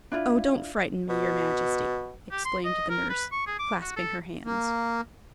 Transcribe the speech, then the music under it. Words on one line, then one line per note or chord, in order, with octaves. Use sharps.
"Oh! don't frighten me, your Majesty!" exclaimed the nurse, clasping her hands.
D4 E4 F4
B2
G4
C6
D#5
A#4
B4
C#6
G#4
D6
F#4
A4
A#3